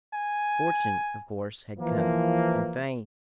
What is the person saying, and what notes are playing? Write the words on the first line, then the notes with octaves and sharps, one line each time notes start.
Fortune, of course, had come, and fame.
G#5
E3 F3 A#3